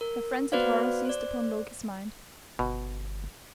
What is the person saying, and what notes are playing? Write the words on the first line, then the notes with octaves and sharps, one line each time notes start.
A frenzied horror seized upon Loki's mind.
A#4
B3 F#4 B4 C5 D5 F5
C5 D5
G1 B2